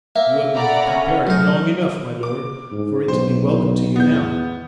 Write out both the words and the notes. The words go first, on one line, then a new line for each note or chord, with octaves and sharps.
"You have been preparing long enough, my lord, for it to be welcome to you now."
A#3 E5
A4 D5 F#5 A#5 B5
C#4
F#2 A3 D#4 F6
D6
G#2
B1 C5
E2 B3 G6